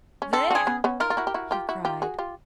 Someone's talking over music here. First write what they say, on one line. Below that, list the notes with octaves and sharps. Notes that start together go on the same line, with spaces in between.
"There!" he cried.
C#4
C4 D4 A4
C4 D4 G#4
B3 C#4
B3 C#4
D#4 F4 A#4
F4
E4 F#4
G4
E4 F#4
F4 G4
E4 F#4
F4 G4
F#4 G#4
F4 G4